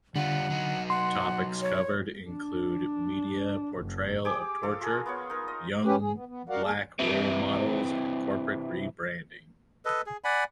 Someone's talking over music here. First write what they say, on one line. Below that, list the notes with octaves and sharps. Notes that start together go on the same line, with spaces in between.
Topics covered included media portrayal of torture, young black role models and corporate rebranding.
D3 G3 F4 F#5
F#3 D#4
F#5 C6
C#5
D4
F#1
G4 G#4 D6
F4 A4 F5
F4 G#4 A#4
B3 F4 C#5
D#4 A#4
D#5
C#4 G4 B4
G#4
B3
B3
G3 F#4 A#4 D5 F5 F#5
D2 A#3 G#4 A5
C3 E3
A4 B4 D#5
G#4
D5 F#5 G#5 B5